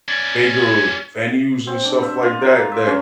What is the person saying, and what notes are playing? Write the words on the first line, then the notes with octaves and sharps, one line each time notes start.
bigger venues and stuff like that that
C#4 D5
C4
D4
E5
F4
A#4
E5
C#4